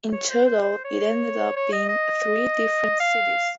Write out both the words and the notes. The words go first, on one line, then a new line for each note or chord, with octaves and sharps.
In total, it ended up being three different cities.
C#5
C5
C5
C5
C#5
C#5
D#5
D#5
F5